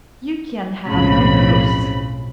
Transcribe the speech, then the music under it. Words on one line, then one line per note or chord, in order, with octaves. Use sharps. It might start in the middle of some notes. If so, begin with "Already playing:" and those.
You can have no proofs.
B1 F2 A2 C#3 B5